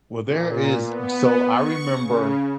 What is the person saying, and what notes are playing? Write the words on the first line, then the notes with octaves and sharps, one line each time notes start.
Well, there is so I remember
A#2
B3
C#6
C#3